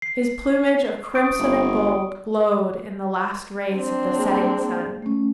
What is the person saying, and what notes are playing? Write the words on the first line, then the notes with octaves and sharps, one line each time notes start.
His plumage of crimson and gold glowed in the last rays of the setting sun.
C7
C#6 D#6 D7
G1
C4 D4
A#3 G#4
A3 C#4